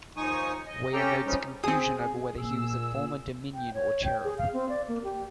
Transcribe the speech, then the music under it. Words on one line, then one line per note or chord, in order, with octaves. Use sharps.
Weyer notes a confusion over whether he was a former Dominion or Cherub.
D#2 F3 D#4 G#5 C#6 D#6
D#5
C#4 G4 A4 G5 A#5
F3 G3 G#3 C#4 D#4
C4 G#4 G#5 D#6
A#2 E6
G5
C#5
G5
G#4
F5
C4
D5
A#3
G4